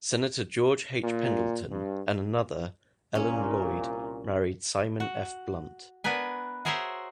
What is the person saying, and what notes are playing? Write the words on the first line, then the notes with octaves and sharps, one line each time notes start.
Senator George H. Pendleton and another, Ellen Lloyd, married Simon F. Blunt.
A#2
G2
C2 A#2 C#4
F#4
B3 D4 A#4 B4 G#5
F#4 G#4 A#4 C5 C#5 E5